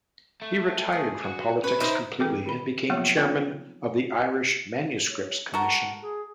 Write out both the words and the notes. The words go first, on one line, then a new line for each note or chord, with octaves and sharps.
He retired from politics completely and became Chairman of the Irish Manuscripts Commission.
A3
G#4
F#4
C#4 B4
D4 D#4 C5 E5
E3 C4 F#4 G#4 A4
D#3 B5
F3 F#3 G#3 A#3 B3 F4
C4 D#4 F4 C#5
C#5
F#4 A4 A#4 F#5
G#4